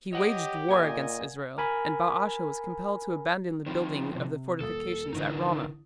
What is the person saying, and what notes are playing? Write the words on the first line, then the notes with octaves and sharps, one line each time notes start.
He waged war against Israel, and Baasha was compelled to abandon the building of the fortifications at Ramah.
G4 C#5 D#5 F#5 G5
A#2 D#5 F#5 G#5
A#4 G#5 B5
D#3 F3 C4 D#4 B5
C3
D#1 A4 D#6 A6
A1 D3 D#4 A#4 B4